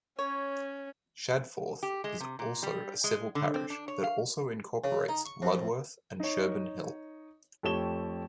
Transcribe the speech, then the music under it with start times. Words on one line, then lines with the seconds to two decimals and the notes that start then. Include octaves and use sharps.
Shadforth is also a civil parish that also incorporates Ludworth and Sherburn Hill.
0.19 C#4 C#5
1.83 G4
2.04 G#3
2.21 C3
2.39 A#2
2.63 G3
3.04 G#3
3.35 D3
3.54 C4
3.70 D4
3.88 C#5
4.03 F5
4.84 C#3
5.08 D#4
5.25 C#6
5.42 F2
6.20 D#4 C#5
7.63 F2 A3 G4 C#5 E7 G7